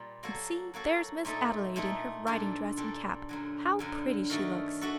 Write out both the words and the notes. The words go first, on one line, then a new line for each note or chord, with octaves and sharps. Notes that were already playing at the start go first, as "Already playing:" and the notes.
And see, there's Miss Adelaide in her riding-dress and cap; how pretty she looks!
Already playing: A#2 G3
F#3 A#3 F#4 A4
F#3 A#3 F#4 A4
A#2 A3 D#4 A4
A#2 A3 D#4 A4
A#2 G3 D4 A4
A#2 G3 D4 A4
F#2 D3 F#3
F#2 D3 F#3
D#3 A3 D4 F#4 A4
A3 D4 F#4 A4